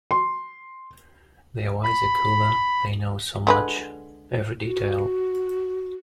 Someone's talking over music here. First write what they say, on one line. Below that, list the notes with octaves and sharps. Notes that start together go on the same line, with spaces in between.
They are wiser, cooler, they know so much, every detail.
C6
B5
D3 G#3 B4
F#4